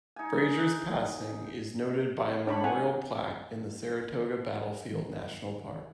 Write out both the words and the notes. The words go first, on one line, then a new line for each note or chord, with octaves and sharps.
Fraser's passing is noted by a memorial plaque in the Saratoga Battlefield National Park.
D#4 G#5
D4 C#5 B5
C4 F#5 G#5
D#3